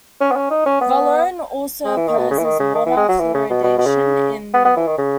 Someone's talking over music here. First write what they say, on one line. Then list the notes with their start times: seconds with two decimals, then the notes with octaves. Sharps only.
Vallone also opposes water fluoridation in New York.
0.20 C#4
0.32 B3
0.36 C#4
0.51 D#4
0.66 C#4
0.81 B3
1.85 G#3
1.97 E3
2.07 D#3
2.18 B2
2.31 C#3
2.38 E3
2.44 D#3
2.60 C#3
2.74 D#3
2.86 E3
2.97 G#3
3.09 F#3
3.19 E3
3.34 C#3
3.50 B2
3.64 B2
3.78 B2
3.86 C#3
4.54 B3
4.65 B3
4.77 E3
4.87 D#3
4.98 C#3